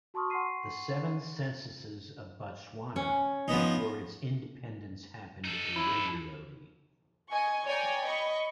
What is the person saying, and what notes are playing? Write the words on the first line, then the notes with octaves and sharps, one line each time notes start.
The seven censuses of Botswana before its independence happened irregularly.
F#4 A5 C6 C#6 D#6 F6
F#5 G#5 C6 C#6 C7 D#7
C#4
F3 B3 D#4
D#4 A4
E4
D#5 G#5 C#6
C#5 D5 G5 G#5 A#5
D#5 B5 C#6